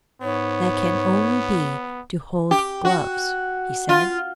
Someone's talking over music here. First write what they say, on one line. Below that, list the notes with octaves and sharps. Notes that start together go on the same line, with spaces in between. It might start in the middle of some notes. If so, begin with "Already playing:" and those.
"That can only be to hold gloves," he said.
G#2 B3 C#5
G4
F#4
F4